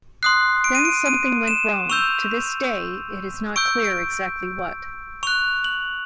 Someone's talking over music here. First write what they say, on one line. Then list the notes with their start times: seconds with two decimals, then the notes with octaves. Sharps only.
Then something went wrong: to this day, it is not clear exactly what.
0.23 C6 D#6 F#6 C7
0.64 D7
0.75 D#7
0.85 D7
1.06 D#7
1.48 E7
1.90 C#6 E6 G6 F7
3.56 C#6 E6 G6 D7
3.84 D7
5.23 C#6 F#6 F7
5.64 F#7